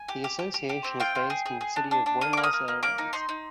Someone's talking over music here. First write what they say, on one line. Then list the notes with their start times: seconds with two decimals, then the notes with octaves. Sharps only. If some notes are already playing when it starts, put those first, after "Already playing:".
The association is based in the city of Buenos Aires.
Already playing: G#5
0.08 G4
0.24 G4
0.39 G4
0.54 G4
0.69 G4
0.84 C4
1.00 F4 G5
1.15 F4
1.30 G#4
1.46 G#4
1.61 G#4
1.76 D4
1.91 D4
2.06 D4
2.21 A#3 D#6
2.33 A#3 D6
2.43 D#6
2.53 A#3
2.68 A#3
2.83 A#3 D6
2.98 D#4
3.13 D#4 C6
3.29 D#4